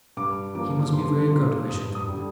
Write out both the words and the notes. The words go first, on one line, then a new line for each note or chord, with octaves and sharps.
He must be very good, I should think?'
G2 D6
F3 A#3 D6
G2 C6
F3 A#3 C6
G2 D#6
D#6
D3 G3